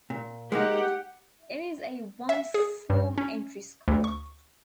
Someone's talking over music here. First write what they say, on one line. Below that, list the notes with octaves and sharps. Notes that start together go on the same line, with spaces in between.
It is a one form entry school.
A#2
G#3 A#3 D#4 G4 F#5
E5
G#4
G2
C#4
D2
C#6